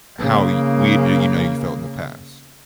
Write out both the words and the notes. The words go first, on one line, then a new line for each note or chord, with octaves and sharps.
how y we knew you know, you felt in the past."
C#3 A#3